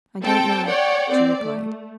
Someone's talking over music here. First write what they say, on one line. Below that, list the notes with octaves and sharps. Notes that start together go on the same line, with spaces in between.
"I don't know," she replied.
C4 A4 G5 A5
C#5 D5 F#5 G5
C4 D5
A3